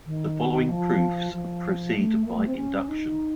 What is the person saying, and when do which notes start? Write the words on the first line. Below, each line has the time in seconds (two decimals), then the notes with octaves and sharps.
The following proofs proceed by induction.
0.06 D#3
0.69 F3
1.32 F3
1.95 A3
2.25 A#3
2.35 A3
2.46 C4
2.56 C#4
2.88 D#4